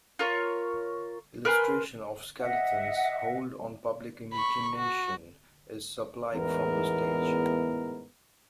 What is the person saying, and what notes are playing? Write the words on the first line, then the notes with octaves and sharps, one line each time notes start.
Illustration of Skelton's hold on public imagination is supplied from the stage.
F4 A#4 C#5
A#4 B4 G#5 C6
D#5 E5 F#5
B5 C#6
F#4
A1 E2 G#2 E3 B3 A#4